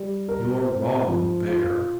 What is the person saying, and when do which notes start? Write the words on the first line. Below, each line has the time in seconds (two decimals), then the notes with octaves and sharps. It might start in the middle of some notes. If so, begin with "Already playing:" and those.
"You are wrong there."
Already playing: G3
0.29 A#4
0.68 C4
1.08 F3
1.47 F4